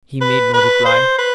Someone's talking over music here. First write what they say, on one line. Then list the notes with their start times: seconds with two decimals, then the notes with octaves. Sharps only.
He made no reply.
0.21 B4
0.54 B4
0.86 C5
1.18 B4